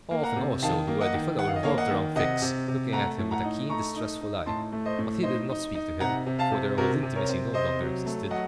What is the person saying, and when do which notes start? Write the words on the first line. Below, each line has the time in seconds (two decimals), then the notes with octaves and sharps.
Often, also, the worthy fellow revolved around Fix, looking at him with a keen, distrustful eye; but he did not speak to him, for their old intimacy no longer existed.
0.11 A#3
0.23 F#5 A#5
0.36 C3
0.62 D#3 F5 A5
0.88 A#3
1.01 D#5 F#5
1.14 D#3
1.39 D#3 F#5
1.47 F5
1.56 D#5
1.63 A#3 C#5 F5
1.77 D#5 F#5
1.91 D#3
2.16 C3 D#5 F#5
2.42 C3
2.68 C3
2.93 A3 F#5 A#5
3.19 A2
3.31 F#5 A#5
3.44 D#4
3.70 A3 A#5 C#6
3.96 D#4
4.21 D#4
4.46 A2 A5 C6
4.72 A3
4.85 C5 D#5
4.99 A2
5.23 D#4 C5 D#5
5.49 D#4
5.75 D#4
6.00 C3 F#5 A#5
6.26 C3
6.39 F5 A5
6.52 C3
6.77 C3 F#4 A#4
7.03 C3
7.15 A#4 C#5
7.29 C4
7.54 C3 C5 D#5
7.80 F#3
8.06 A3
8.30 F#3 D#5 F#5